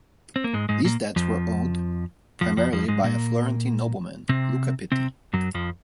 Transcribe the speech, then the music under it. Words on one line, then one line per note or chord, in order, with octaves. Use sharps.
These debts were owed primarily by a Florentine nobleman, Luca Pitti.
C4
A#3
G#2 G#3
G#2 G#3
A#2 A#3
F2 F3
F2 F3
F2 F3
F2 F3
G#2 G#3
A#2 A#3
C3 C4
C3 C4
F#2 F#3
F2 F3